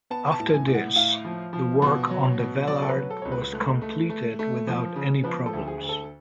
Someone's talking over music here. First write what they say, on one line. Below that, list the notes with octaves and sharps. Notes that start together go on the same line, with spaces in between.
After this, the work on the Vellard was completed without any problems.
B3 A5
A5
A2
G#5
A2
F#5
A2 F5
F3
F3
B2
F#3
B2
F#3 D5
A4
B4
F#3
A4
C#2 C#5
B4
A3
A3
A3
A3
F3
C#3
F3 B4
A4
D2
G#4
D2
A4